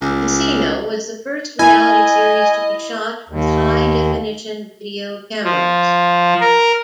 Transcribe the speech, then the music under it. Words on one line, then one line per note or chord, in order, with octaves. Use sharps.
"The Casino" was the first reality series to be shot with high-definition video cameras.
C#2
E4 D#5 G#5
D#2
F3
A#4